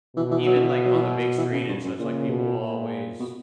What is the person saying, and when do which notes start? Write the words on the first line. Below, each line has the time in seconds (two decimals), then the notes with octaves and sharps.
even, like, on the big screen and such, like, people always
0.16 B2 E3
0.31 E3
0.46 F#3
0.56 D3
0.61 E3
0.86 F#3
0.94 E3
1.02 F#3
1.37 E3
1.52 C#3
1.69 G2
1.84 F#2
1.99 A#2 C#3
2.30 B2
2.59 A#2
3.20 B2